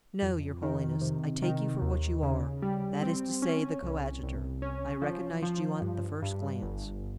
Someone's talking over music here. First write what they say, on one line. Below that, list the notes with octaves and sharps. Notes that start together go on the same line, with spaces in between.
"No, your holiness, I take you for what you are, that is to say, the coadjutor; I recognized you at the first glance."
F2
D#3
C3
D#3
D#2
C#3
G3
C4
C#4
C2
C2
C#4
F3
F3
G2
G2
G1